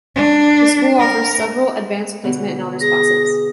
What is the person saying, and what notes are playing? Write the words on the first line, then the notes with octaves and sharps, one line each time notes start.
The school offers several Advanced Placement and Honors classes.
D4
A#4
B2 D3 B3
G#4 A#6